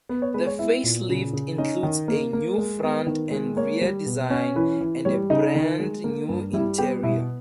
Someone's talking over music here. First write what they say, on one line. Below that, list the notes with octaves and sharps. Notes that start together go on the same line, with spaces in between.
The facelift includes a new front and rear design, and a brand new interior.
B3 B4
C#5
G#3 B4
C#5
B3 E4 E5
A#2
C#3
C#3
C#4 D#4 D#5
D#3
A#3
A#3
G#3
B3
D#3
G#3
A#3 C#5
G3
B2
C#4
E3 B4
E3
G3 C#5
C#3 D#4 D#5
D#3
G#3
A#3
G2
G3 E4 E5
B3 G4 G5
B2 E4 E5